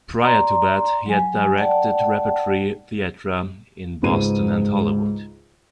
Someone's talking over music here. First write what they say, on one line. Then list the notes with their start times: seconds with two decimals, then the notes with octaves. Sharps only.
Prior to that, he had directed repertory theatera in Boston and Hollywood.
0.23 D5 A#5 C6
1.06 F#3 G#5
1.58 D5 F#5 G5 A5
4.03 C#2 G#2 B4 D#7